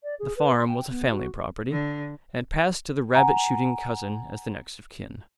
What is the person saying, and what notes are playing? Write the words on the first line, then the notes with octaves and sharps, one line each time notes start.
The farm was a family property, and passed to the rabbit-shooting cousin as the next-of-kin.
D5
G#4
B4
C6
G5
B3
F#4
D3
F#5 G#5 A#5